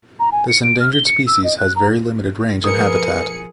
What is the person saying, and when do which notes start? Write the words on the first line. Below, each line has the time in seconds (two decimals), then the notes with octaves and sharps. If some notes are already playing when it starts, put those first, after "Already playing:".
This endangered species has very limited range and habitat.
0.20 A#5
0.32 G#5
0.48 C#7
0.63 D7
0.80 F6
0.93 G7
1.06 C#7
1.27 E6
1.44 D#5
1.58 F#6
1.76 A#5
2.64 F3 G#4 A#4 B4 D#6 C#7